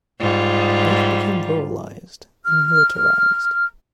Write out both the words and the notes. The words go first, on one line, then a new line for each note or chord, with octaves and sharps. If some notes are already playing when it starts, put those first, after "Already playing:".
Life became ruralized and militarized.
G#2 G3 F4
F6